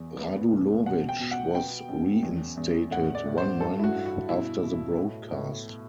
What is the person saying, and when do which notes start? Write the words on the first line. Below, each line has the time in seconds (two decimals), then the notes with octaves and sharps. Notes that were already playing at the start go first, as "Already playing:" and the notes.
Radulovich was reinstated one month after the broadcast.
Already playing: E2
0.18 B3
0.52 C2
0.86 B2 F#5
1.09 G5
1.20 B2
1.31 F#5
1.55 B3 G5
1.88 F#2
2.23 E2
2.57 E2
2.91 A2 F#5
3.15 D5
3.26 A2
3.38 C5
3.60 G2 A4
3.79 E4
3.84 F#4
3.94 G2
4.06 F#4
4.29 B2 E4
4.63 B2
4.97 A2
5.32 A2